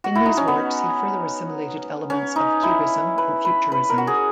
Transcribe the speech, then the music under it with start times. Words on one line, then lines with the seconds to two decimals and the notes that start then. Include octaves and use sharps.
In these works he further assimilated elements of Cubism and Futurism.
0.04 F#4
0.15 E4
0.26 D#4
0.37 C#4
0.48 B3
2.10 C#4
2.36 D#4
2.63 E4
3.18 B4
3.45 B4
3.72 B4
3.90 A#4
3.98 F#4
4.07 G#4